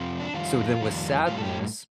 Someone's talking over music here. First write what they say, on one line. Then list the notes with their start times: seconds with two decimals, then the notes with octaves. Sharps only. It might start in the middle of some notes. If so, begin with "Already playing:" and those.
so then with sadness,
Already playing: F2 C3 F3
0.20 D4
0.34 F2 D#3 G3 F4
0.81 F2 D#3 G3
1.27 A2 G3 F4
1.38 A4
1.43 G4